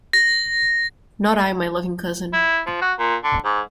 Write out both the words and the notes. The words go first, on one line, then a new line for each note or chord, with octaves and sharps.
Not I, my loving cousin!
A#6
E4
F3
F#4
A#2
D3
G#2